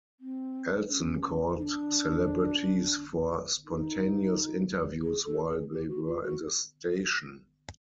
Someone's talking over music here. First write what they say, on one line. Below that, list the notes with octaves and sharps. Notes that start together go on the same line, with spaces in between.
Elson caught celebrities for spontaneous interviews while they were in the station.
C4
D4
C#4
D#4
D4
D#4
G#4
A4
G#4
G4
F#4
F4
F#4